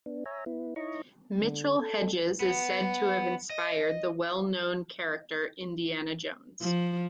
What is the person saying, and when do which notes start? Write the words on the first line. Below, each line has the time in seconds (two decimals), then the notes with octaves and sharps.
Mitchell-Hedges is said to have inspired the well known character Indiana Jones.
0.06 B3 D4
0.26 C#5 E5 G#5 A#5
0.46 B3 E4
0.76 D#4 E4 C#5 D#5 A#5 C#6
1.40 D3
1.80 A4
2.40 B3
3.50 D#5
6.61 F3